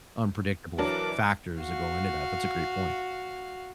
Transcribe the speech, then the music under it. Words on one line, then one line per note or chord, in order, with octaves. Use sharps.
unpredictable f factors that go into that, that's a great point.
E3 F#3 D4 A#4 D6
F#4 F5